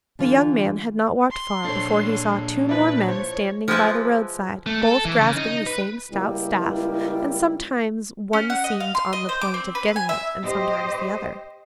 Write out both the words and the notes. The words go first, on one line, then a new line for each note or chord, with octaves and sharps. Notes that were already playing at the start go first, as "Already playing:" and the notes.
The young man had not walked far before he saw two more men standing by the road-side, both grasping the same stout staff, and sometimes one seemed on the point of getting it, and sometimes the other.
D3 E3 F4
C6
A#2 D4 A4 C5 C#5
E3 F3 B4 D5 E5
C5 C#5
F3 G#3 E4 B4
A3
A4
E3
C#3
D#4
B4
C#2 G3 A#3 E4
C#4
F#5
D#5
F5
C6
D#5
C5
D6
C4
B4
G#5
E5
G4 C5 D#5